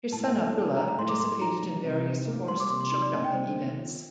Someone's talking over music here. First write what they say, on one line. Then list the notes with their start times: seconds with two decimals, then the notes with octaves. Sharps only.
His son Abdullah participated in various horse showjumping events.
0.12 A2 A5
0.24 A5
0.35 A4
0.56 D#4
0.77 A3 A#5
0.88 A#5
0.98 A2 C6
1.09 D6
1.20 A4 C6
1.41 D#4 A#5
1.63 G3
1.84 C3
2.06 D#4
2.27 A#3
2.48 G3 C6
2.60 D6
2.70 C3 C6
2.81 C6
2.91 D#4 C6
3.02 D5
3.13 A#3 D#5
3.24 G5
3.34 G3 C5
3.56 D#3
3.78 F4